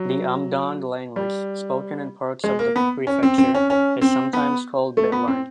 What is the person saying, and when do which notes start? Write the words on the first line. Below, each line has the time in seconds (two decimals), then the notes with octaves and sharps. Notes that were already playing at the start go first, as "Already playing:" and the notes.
The Amdang language, spoken in parts of the prefecture, is sometimes called "Biltine".
Already playing: F#3
1.16 G3
2.44 G#3
2.59 A#3
2.76 B3
3.07 C#4
3.23 C4
3.38 C4
3.55 C#4
3.70 C#4
4.01 C4
4.33 B3
4.97 A3
5.12 B3
5.28 C4